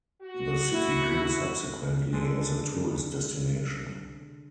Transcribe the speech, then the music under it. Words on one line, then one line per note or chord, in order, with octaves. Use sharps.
The city grew subsequently as a tourist destination.
F#4
E4
D3 G#3